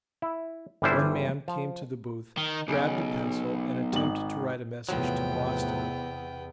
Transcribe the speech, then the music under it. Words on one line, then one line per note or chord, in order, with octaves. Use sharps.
One man came to the booth, grabbed a pencil, and attempted to write a message to Boston.
E4
G1 E3 G3 D4 E4 C5
F3
D#3
B1 C#3 D7
G#1 D#4 F#7
E2 A2 C3 F3 F#3 B3 G5